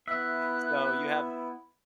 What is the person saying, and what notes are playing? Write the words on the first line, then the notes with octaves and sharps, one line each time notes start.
so, you have
B3 E4 E5 F#6